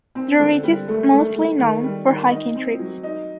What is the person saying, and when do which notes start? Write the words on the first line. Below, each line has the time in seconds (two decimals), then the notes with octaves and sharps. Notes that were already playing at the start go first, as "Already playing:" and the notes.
The ridge is mostly known for hiking trips.
0.15 C4
0.40 D3
0.63 G3
0.88 A3
1.12 A3
1.35 A3
1.59 D#3
1.83 G3
2.07 D#3
2.31 D#4
2.55 C4
2.79 F#3
3.03 D#4